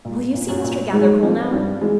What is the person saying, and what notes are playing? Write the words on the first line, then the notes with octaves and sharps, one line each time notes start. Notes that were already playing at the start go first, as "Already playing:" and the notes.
"Will you see Mr. Gathercole now!"
A#2
A#2
F#2 F#3
A#2
G#2 D#3 G#3
C3 F3
G2 D#3 G3
E3 G#3